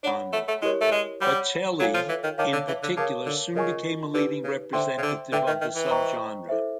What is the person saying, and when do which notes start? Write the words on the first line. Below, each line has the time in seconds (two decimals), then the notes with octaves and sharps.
Bocelli, in particular, soon became a leading representative of the subgenre.
0.03 D4 C#5 F#5 B5
0.33 A3
0.48 A3
0.62 G#3 E4 G4 A#4 C#5
0.81 A3
0.92 G#3
1.21 G3 C#5 F#5 B5
1.79 F#3 F4 A4 C#5 F5 G#5
1.94 F3
2.09 E3
2.23 D#3
2.38 D#3 C#5 F5 A5 D6
2.53 D3
2.68 E3
2.83 D3
2.97 C#3 A#4 C#5 F5 A5 D6
3.26 D3
3.55 C#3 F4 A#4 D#5 G#5 C#6
4.14 D3 D#4 G4 B4
4.44 C#3
4.73 D3 C5 E5 G5 C6
4.98 C#3
5.03 D3
5.32 D3 B4 E5 G5
5.47 D#3
5.61 D#3
5.75 E3
5.90 C5 D#5 G5 A#5 C#6
6.49 E4 A4 C5 E5